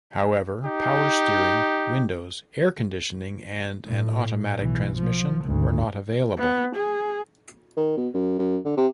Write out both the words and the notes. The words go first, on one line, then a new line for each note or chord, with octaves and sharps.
However, power steering, windows, air conditioning, and an automatic transmission were not available.
D#4 G4
A2
B1 E3
F3
G#1 D2
B3
G#4
D#3
B2
F#2
F#2
D3
C3